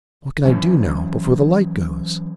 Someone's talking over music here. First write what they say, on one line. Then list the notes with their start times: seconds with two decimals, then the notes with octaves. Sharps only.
What can I do now, before the light goes?'
0.45 E3 F#3 C#4